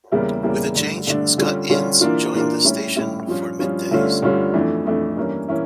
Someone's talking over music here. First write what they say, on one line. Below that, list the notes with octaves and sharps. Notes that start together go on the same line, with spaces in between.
With the change, Scott Innes joined the station for middays.
E2 C#3 G3 A#3 E4
E2 C#3 G3 A#3 E4
G2 D3 A3 D4
G2 D3 A3 D4
D3 G3 C#4 F4
D3 G3 C#4 F4
E3 A#3 D4 F4
E3 A#3 D4 F4
A2 G3 C#4 E4
A2 G3 C#4 E4
G2 F3 C#4 F4
G2 F3 C#4 F4
G2 D3 A3 C#4 F4
G2 D3 A3 C#4 F4
F2 E3 A3 D4
F2 E3 A3 D4
G2 E3 A#3 C#4 E4
E3 A#3 C#4 E4